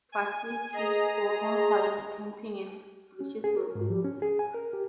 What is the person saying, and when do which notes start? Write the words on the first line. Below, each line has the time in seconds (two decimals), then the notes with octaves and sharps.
Facilities for campfire and camping, and bridges were built.
0.12 G#5
0.72 G#4 D#5 A#5
3.20 C#4
3.44 G#4
3.57 A#4
3.75 G#2
3.90 F3
4.05 C#4
4.22 G#4
4.39 G#5
4.54 A#4
4.73 G4